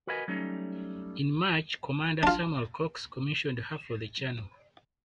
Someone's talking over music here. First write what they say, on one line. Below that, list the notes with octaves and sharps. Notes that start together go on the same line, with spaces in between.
In March Commander Samuel Cox commissioned her for the Channel.
F#4 A#4 B4 D#5 E5 G#5
F#3 G3 A3 C#4 D#4
D4 F4